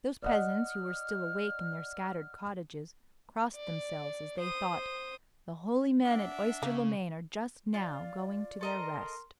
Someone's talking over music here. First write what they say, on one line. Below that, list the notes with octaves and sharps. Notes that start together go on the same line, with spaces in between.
Those peasants who were still awake in their scattered cottages, crossed themselves as they thought, "The holy men at Oyster-le-Main are just now going to their rest."
D5 D#5 F#5 F6
D5
C5 D#6
D4 E5 F#5
C#3 A#3
F4 D5
A4 A#4 D#5 A#5 C6